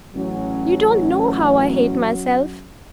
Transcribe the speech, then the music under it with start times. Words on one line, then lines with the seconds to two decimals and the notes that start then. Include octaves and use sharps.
'You don't know how I hate myself.
0.15 A1 F#3 C#4